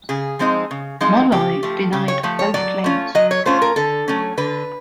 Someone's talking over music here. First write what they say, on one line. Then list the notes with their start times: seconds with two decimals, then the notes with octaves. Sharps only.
Molloy denied both claims.
0.09 C#3 G#4
0.39 F3 G#3 C4 D#4
0.71 C#3
1.01 F3 G#3 C4 D#4
1.32 C#3 G4
1.63 F3 A3
1.93 C#3 G4
2.08 C#5
2.23 F3 A3
2.39 C#5
2.54 F#3 D5
2.84 A3 C#4 F4
3.15 F#3 D#5
3.31 C#5
3.46 A3 C#4 F4 C5
3.62 A#4
3.76 D3 A4
4.08 F#3 A3 C#4
4.38 D3 B4